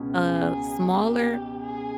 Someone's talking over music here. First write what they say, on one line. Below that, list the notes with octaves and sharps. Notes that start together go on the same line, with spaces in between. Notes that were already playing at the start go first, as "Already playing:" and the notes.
a smaller
Already playing: C#2 B2 G#3 C#4
G#4
G4
G#4